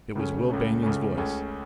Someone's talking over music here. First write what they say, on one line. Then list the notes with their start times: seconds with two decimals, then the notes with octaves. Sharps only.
It was Will Banion's voice.
0.15 C#2 C#3 A3 C#4
0.50 C#2 C#3 A3 C#4
0.83 C#2 C#3 A3 C#4
1.17 C#2 C#3 A3 C#4